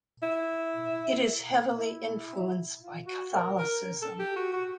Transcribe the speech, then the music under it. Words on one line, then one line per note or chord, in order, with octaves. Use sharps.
It is heavily influence by Catholcisim.
E4
E4
F4
F#4
A#4
A#4
A4
G4
F#4
F#4